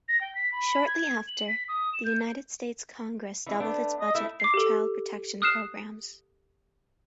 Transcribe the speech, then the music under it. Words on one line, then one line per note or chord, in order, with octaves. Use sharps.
Shortly after, the United States Congress doubled its budget for child-protection programs.
A#6
G5
B6
B5
G#6
F#7
B6
D#6
E7
G6
E3 D#4 E4
A3 B3 D4
D#5
A3 E4 E5
D6 C7
G4 A4
D#6 F6 F#6 C7 E7